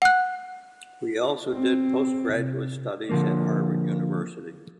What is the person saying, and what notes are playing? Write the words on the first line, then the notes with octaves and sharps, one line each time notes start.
He also did postgraduate studies at Harvard University.
F#5 F#6
C4
C3
D3 F3 A#3